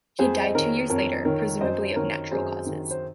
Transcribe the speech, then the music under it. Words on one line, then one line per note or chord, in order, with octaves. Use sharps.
He died two years later, presumably of natural causes.
F2 G#4 C5
D#5
D#3 A#4 C#5
F2 A#4 C#5
D#3 A#4 C#5
F#2 C5 D#5
D#3 A#4 C#5
F#2 G#4 C5
D#3
C5